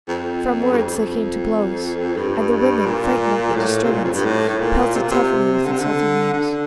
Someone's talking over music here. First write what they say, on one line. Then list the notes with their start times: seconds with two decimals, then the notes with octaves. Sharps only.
From words they came to blows, and the women, frightened at the disturbance, pelted Tephany with insulting names.
0.08 F2
0.73 G2
0.78 F2
2.17 G2
2.86 A#2
3.55 A2
3.84 C3
3.91 A#2
4.04 F2
4.14 G2
4.25 A2
4.49 A2
4.60 A#2
4.95 C3
5.03 A#2
5.11 C3
5.65 D3
5.72 C3
5.79 D3
6.33 D3